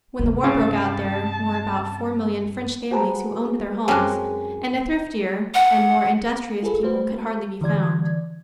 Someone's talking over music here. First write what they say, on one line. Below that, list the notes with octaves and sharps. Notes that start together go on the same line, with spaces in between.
When the war broke out there were about four million French families who owned their homes and a thriftier and more industrious people could hardly be found.
G2 C3
C#3 A5
F#4 G#4 B4 C5 A5 A#5
F#2 G#3 C4 C#4 A5 D6 F#6
F#5
F4 G#4 A4 B4
A3 F#4 B4 C5
D3 E3 D5 G#6